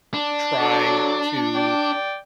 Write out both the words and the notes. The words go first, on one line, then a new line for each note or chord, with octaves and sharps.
try to,
D4
F#3 A4 D6
D5 G5